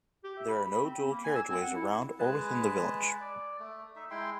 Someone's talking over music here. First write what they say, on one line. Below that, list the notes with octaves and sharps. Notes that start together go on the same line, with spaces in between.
There are no dual carriageways around or within the village.
G4
E5
B5
B5
C4
B5
A#3
G#5
E6
C4
F#5
E4
G#3 G#4 B4 A5
D5
A3
D#4 E5
G#3 E4 G5 C6